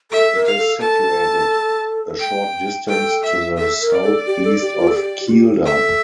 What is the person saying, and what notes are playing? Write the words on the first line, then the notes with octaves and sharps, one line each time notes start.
It is situated a short distance to the south-east of Kielder.
A4 E5
A#4
F5
A4
A4 A5
G5
A4 G5
E5
A4 E5
A#4
D5
A4
G4
A4
G4
F4
A4
G4
F4
G4
A4 E5